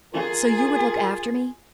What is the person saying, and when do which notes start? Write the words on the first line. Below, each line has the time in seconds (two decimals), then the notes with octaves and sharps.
"So you would look after me?"
0.14 F4 G#4 A#4